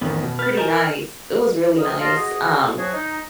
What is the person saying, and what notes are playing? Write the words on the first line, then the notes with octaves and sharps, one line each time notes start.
pretty nice, it was really nice, um,
A1 F2 D#3 B3
B2
B4 F6 G6 A6
A#4 D#5 G#5 A#5 G6
D#3 F3 F5 D#6
F4 D#5 A5 C6 F6
F#4 G#4 D#5
F3 F#3 F#4 G#4 C#5
D#4